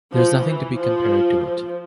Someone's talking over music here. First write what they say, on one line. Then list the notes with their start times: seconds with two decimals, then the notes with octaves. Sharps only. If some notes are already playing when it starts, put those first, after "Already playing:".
There is nothing to be compared to it.
0.13 F3
0.45 E3
0.77 F3
1.41 F3